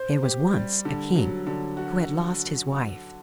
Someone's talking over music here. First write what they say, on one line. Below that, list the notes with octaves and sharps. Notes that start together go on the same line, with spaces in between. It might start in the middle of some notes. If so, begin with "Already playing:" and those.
There was once a king, who had lost his wife.
Already playing: C5
G4
G3
D3
F#3
D3
F#4